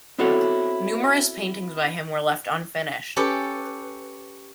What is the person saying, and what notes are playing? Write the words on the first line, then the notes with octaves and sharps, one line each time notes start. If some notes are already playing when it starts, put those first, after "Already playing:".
Numerous paintings by him were left unfinished.
B3 C4 E4 F#4 A4 C#5
C#4 G4 A4 B4